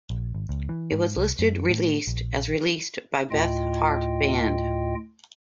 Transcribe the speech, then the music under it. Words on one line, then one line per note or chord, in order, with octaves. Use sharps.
It was listed released as released by Beth Hart Band.
A#1
G#1
C#2
E3
G#2
C2
F#2
A2
A#1
D2 A2 F4 D#5 G5